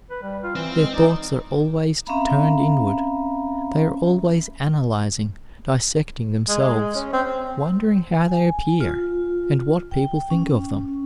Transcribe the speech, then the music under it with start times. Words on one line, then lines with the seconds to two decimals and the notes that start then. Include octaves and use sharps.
Their thoughts are always turned inward; they are always analyzing, dissecting themselves, wondering how they appear and what people think of them.
0.10 B4
0.22 G3
0.43 F4
0.55 E3 C4 C5
0.77 G#3
0.94 D#4 D5
2.07 C4 C#4 E5 F5 A#5 B5
6.48 G#3
6.60 G#3
6.95 C#4
7.13 C4
8.28 G#5
8.80 F4
9.91 G5
10.30 C#4